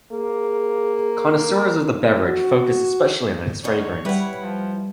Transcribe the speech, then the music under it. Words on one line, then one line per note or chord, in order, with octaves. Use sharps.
Connoisseurs of the beverage focus especially on its fragrance.
A#3 G#4
F#4
D3 D#3 C#5
G3 E4 B4 F#5
F3